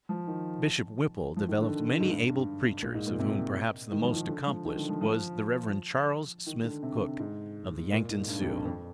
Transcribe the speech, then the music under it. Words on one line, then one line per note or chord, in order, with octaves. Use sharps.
Bishop Whipple developed many able preachers, of whom perhaps the most accomplished was the Rev. Charles Smith Cook, of the Yankton Sioux.
F3
D#3
F3
D#3
D3
G#2
G2
G2
A#2
G#2
A#2
C3
D#3
F3
D#3
D3
F3
D#3
D3
F3
F3
D#3
D3
C3
G#2
A#2
G#2
G2
F2
G2
F2